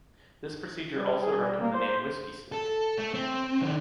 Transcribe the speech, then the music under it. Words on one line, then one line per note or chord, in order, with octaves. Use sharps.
This procedure also earned him the name "whiskey-stick".
G3
G#4
G3
A#3
C5
A4
A3
C4
D#3 D4